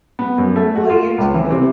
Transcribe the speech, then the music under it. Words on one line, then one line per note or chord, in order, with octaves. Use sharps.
Well, you too.
B3
F#2
A3
F#4
F4
C#2
E3
C3